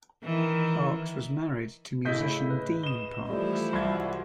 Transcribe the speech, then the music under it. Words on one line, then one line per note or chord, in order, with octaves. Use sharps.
Parks was married to musician Dean Parks.
D#3 E3
A2 C#3 E4 D#5 G6 B6
B4
D#5 E7 G7
E3 F3 G3 A3 E4
C2 F#4 D5 C6 G#6